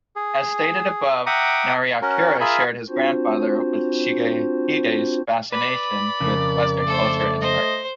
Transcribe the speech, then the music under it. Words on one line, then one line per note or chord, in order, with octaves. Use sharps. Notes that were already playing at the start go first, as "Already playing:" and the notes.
As stated above, Nariakira shared his grandfather Shigehide's fascination with Western culture and learning.
G#4
E5 F#5 G5 A#5 D6 D#6
C#4 F#4 A#4
F4 G#4 A#4 E5 G#5 B5
C4 D4 F4 F#4 C5
B4 D5 B5
F2 C#3 A#4
A3 A4 C5
C5 D#5